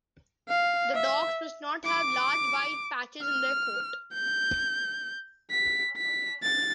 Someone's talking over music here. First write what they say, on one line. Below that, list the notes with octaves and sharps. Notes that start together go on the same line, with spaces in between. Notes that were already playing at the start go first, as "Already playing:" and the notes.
The dogs must not have large white patches in their coat.
F5
E5
D6
F6
G6
B6
B6
A6